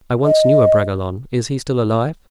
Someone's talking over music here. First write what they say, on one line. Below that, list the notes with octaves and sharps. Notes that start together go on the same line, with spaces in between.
"I once knew a Bragelonne--is he still alive?"
D#5